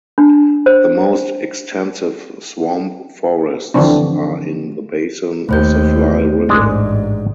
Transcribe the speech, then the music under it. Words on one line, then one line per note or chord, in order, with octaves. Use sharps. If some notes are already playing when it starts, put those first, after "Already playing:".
The most extensive swamp forests are in the basin of the Fly River.
D4
C5
D3 E3 F3 C4 D4
D#2 A3 C5 G6
A1 G#2 G#3 D4